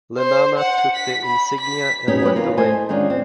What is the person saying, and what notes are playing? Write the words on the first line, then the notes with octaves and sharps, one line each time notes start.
Lenana took the insignia and went away.
C5
F#5
B6
B5
B6
B3 C#4 D#4 G4 G#4
F#3 B3 G4 B4
E3 F4 A#4
A3 C5 D#5 G#5
D#3 G#3 C#4 D4 F4
C4